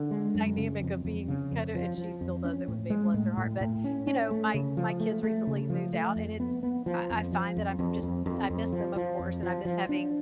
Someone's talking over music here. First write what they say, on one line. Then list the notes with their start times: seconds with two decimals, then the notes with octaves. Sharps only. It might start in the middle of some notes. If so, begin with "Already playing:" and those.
dynamic of being kinda and she still does it with me, bless her heart, but, you know, my my kids recently moved out and it's I I find that I'm just, I miss them, of course, and I miss having
Already playing: D3
0.11 G#3
0.35 F#2
0.58 C#3
0.81 F2
1.05 F2
1.28 C#3
1.51 F2
1.75 F3
1.98 F3
2.21 F2
2.44 C#4
2.68 A2
2.90 G#3
3.14 A2
3.37 A2
3.61 A2
3.84 C#4
4.07 C#4
4.31 A3
4.54 C#3
4.77 F3
5.00 A3
5.23 A3
5.47 C#3
5.70 F3
5.93 A3
6.16 F2
6.40 B3
6.63 B3
6.86 F3
7.10 F2
7.33 F3
7.57 F2
7.79 F2
8.03 F2
8.26 F2
8.50 F2
8.73 F3
8.96 F3
9.19 F2
9.43 F3
9.65 F3
9.89 D4